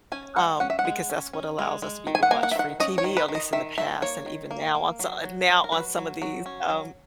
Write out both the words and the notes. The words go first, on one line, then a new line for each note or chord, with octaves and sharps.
um, because that's what allows us to be able to watch free TV, at least in the past and even now on so uh, now on some of these, um
C#4 G#5
G#3 F#5
C#4 F#5
E5
F#5
G#3
C#4
C#4
G#3
G#3
D#3
G#5
F#5
A#3 G#5
F#5
E5
D#3 F#5
C#4 D#5
C#5
D#3
B4
D#3
D#5
D#3 E5
D#3 E5
A#3 C#5
D#3
A#3
A#3
F#3
F#3
F#3
A#4
F#3 B4
F#3
F#3
C#4
F#3